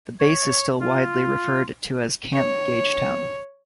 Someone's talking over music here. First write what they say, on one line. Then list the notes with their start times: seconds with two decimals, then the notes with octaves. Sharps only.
The base is still widely referred to as Camp Gagetown.
0.20 C#5
0.80 F4
2.33 C#5